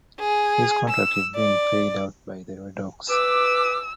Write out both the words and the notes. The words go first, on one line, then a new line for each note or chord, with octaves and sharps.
His contract is being paid out by the Redhawks.
G#4
E6
D5
B4 D6 E6